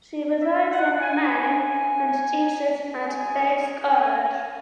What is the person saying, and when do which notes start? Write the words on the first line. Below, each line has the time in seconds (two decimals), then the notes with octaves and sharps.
She resides in Maine and teaches at Bates College.
0.41 E5
0.71 F#5
1.00 G#5
1.29 A3 C#4 F#4 G#5
3.05 G#3 C4 D#4 F#4 G#5
3.93 G#5